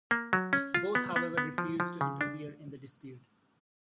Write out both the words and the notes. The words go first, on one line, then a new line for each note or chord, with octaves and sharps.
Both, however, refused to interfere in the dispute.
A#3
F#3
C#4
F4
B3
B3
B3
F3
F3
C#3
D4